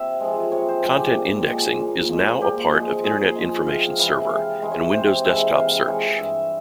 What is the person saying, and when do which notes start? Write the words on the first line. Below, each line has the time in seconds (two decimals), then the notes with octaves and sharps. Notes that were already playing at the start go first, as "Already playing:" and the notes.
Content Indexing is now a part of Internet Information Server and Windows Desktop Search.
Already playing: C3 E5
0.20 F3 G#3
0.52 C3 C#5
0.69 C5
0.83 F3 G#3 C5
0.99 G4
1.15 A#2
1.47 F3 G#3
1.78 A#2
2.10 F3 G#3
2.41 A#2 G4
2.73 F3 G#3
3.04 A#2 G#4
3.35 F3 G#3
3.66 C3 F5
3.99 E3 G#3 F5
4.29 C3 F5
4.62 E3 G#3
4.72 C#5
4.93 C3 C5
5.24 E3 G#3 E5
5.55 C3 F5
5.87 E3 G#3 C#5
6.19 G2 E5